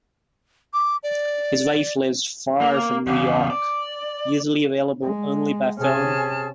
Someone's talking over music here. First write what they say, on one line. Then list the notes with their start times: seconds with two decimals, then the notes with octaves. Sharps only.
His wife lives far from New York, usually available only by phone.
0.73 D6
1.03 D5
2.61 A#3
3.07 E2 C#3
3.50 D5
5.03 G#3
5.79 C3 C#4 G#4 A5 F6